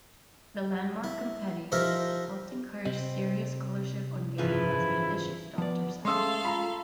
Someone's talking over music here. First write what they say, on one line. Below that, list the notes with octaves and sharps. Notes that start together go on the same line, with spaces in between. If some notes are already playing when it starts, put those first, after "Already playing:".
The landmark compendium helped encourage serious scholarship on gay and lesbian issues, Docter said.
E4
F3 D#4 G4 A#4 C5 E5
C3 C4 D#5 B5
F#1 G#2 E3 F3 C#4 E4 B4
F3 B3 D5
G#3 A3 C#4 A4 F5 C6 D#6 E6
F4 A#5 B5